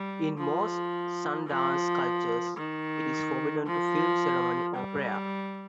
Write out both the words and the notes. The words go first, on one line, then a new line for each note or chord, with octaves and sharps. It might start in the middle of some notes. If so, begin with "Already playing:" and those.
In most sun dance cultures, it is forbidden to film ceremony or prayer.
Already playing: G3
F3
F3
D#3
F3
G3